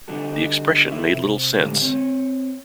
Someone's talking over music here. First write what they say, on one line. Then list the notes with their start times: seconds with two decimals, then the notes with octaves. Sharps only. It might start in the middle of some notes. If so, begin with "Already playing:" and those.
The expression made little sense.
0.08 D3 G3 D4 D#4 F#4 A4
0.90 E4 A4 E5
1.14 C3
1.60 A2 D3 G3 G#3
1.82 C4 C#5